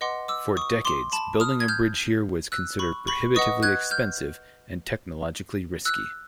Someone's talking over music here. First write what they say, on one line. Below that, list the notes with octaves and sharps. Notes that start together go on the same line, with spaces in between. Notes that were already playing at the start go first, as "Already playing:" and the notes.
For decades, building a bridge here was considered prohibitively expensive and technologically risky.
B4 D#5 F#5 C6 D6
D6 E6
C#6 D#6
C6 D6
A5 B5
D#6 F6
G#6
F6 G6
E6 F#6
B5 C#6
B5 C#6
B4 D#5 F#5 C#6 D#6
F#6 G#6
F6 G6
E6 F#6